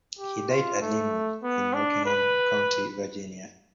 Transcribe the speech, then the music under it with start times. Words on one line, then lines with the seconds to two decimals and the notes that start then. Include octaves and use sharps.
He died at Lynnwood in Rockingham County, Virginia.
0.19 G4
0.50 F4
0.81 A3
1.43 B3
1.74 D4
2.06 B4